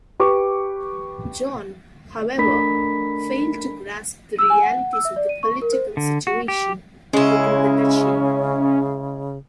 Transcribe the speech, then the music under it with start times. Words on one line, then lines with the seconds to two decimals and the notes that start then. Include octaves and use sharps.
John, however, failed to grasp the realities of the political situation within the duchy.
0.20 G4 B4 C#6 D6
2.38 A3 D4 A#4 B5 B6
4.39 E6
4.50 G#5
4.62 F#5
4.93 E6
5.05 E5
5.16 D5
5.29 D#7
5.43 C#6
5.62 A#4
5.73 C5
5.97 D3
6.27 F#4
6.48 G4
7.13 C#3 G#3 C#4 E4